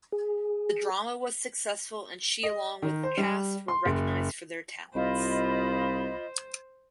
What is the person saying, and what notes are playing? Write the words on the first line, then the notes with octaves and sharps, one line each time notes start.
The drama was successful and she along with cast were recognized for their talents.
G#4
D#5
D#3
C5
G3
C6
F#1
C2 F4 C5 D#5 B5